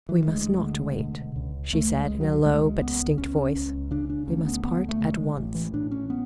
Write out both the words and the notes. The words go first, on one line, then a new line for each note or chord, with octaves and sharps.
"We must not wait," she said, in a low but distinct voice; "we must part at once."
E3
D2 G#3
D3
B2
C#2
C#2 A3
G#3
C#2
F#3
C#2 G#3
A3
G#3
C#2 B3
C#2 C#4
C#2
C#3 D4
D4
D2 C#4
B3
D2 B3
A3
C#3
A3
G#3
A1
E3
A2 D4
C#4
B3